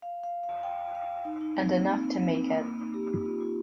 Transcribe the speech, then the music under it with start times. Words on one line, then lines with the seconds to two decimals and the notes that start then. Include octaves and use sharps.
And enough to make it.
0.02 F5
0.24 F5
0.43 F5
0.63 G5
0.95 F5
1.25 D#4
1.41 D#4
1.56 C4
1.71 A#3
1.86 C4
2.08 D#4
2.27 C4
2.49 A#3
2.63 A#3
2.79 D#4
2.94 G4
3.26 F4
3.40 F4